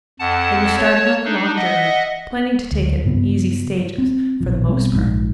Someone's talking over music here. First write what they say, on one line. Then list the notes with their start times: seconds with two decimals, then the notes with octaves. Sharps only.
They were starting on the long journey, planning to take it in easy stages for the most part.
0.19 F2 F#5 A5
0.77 C#5 A5
1.25 D4 D#4
1.56 D#5 E5 F#5
2.71 D2
3.05 G2 C#3 B3
3.98 C4
4.41 A#1 B2 F3
4.68 B2 G3 B3 C4
4.93 A#1 G#2 D3 F3